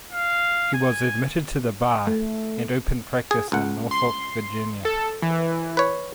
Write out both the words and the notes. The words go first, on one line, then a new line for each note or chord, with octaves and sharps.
He was admitted to the bar and opened practice in Norfolk, Virginia.
F5
G#5
A3
G#4
C#2 F#5
C6
A4
E3
B4 C#5